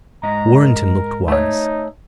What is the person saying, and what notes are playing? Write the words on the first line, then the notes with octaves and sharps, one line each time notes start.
Warrenton looked wise.
G#2 G#3 D#5 A#5
A#4
A3 D#4 C#5